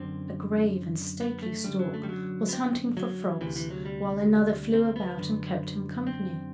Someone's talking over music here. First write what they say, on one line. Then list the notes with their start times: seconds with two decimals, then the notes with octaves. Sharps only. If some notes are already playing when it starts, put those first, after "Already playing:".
A grave and stately stork was hunting for frogs, while another flew about and kept him company.
Already playing: F#2 D3 C4
1.20 B3
1.42 A3
1.64 F#2 D3 G3
1.79 F#3
1.94 A3
2.03 G3
2.09 F#3
2.49 B3
2.53 C4
2.97 F#3
3.41 D2 C3 E3
3.56 E3
3.70 F#3
3.85 G3
4.74 C4
4.96 B3
5.18 F#2 D3
6.07 C4